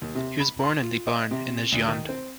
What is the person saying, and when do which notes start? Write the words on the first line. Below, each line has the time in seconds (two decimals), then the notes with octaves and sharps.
He was born in Libourne in the Gironde.
0.02 D#2
0.15 C3
0.40 B5
0.63 C6
0.83 F4
1.07 D#5
1.31 C3
1.72 D2
1.88 D#3
2.09 C4